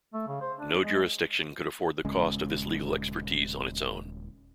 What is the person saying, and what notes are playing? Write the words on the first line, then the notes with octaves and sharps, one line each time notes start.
No jurisdiction could afford the cost of this legal expertise on its own.
A3
C#3
C5
D4
G#3
D#1 C#3 G#3 C#4